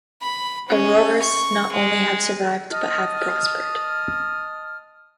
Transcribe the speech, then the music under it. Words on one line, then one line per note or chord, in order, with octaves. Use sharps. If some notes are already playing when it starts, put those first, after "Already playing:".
Aroras not only have survived but have prospered.
B5
C#4
C#6
G#3
D#5 A5 D#6 F6